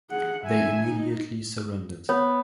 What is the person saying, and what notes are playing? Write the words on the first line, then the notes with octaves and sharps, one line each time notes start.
They immediately surrendered.
G#4 F#5
E5 G#5
D#4
B3 C#5